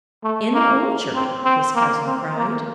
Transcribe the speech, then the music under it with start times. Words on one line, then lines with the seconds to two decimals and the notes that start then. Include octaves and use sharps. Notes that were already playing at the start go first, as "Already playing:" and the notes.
"In the orchard!" his cousin cried.
0.24 A3
0.54 A#3
1.15 C4
1.45 C4
1.76 A#3
2.07 C4
2.37 A#3